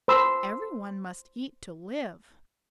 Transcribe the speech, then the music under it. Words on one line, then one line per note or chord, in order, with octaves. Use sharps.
Every one must eat to live.
C5 A5 B5 C6 E6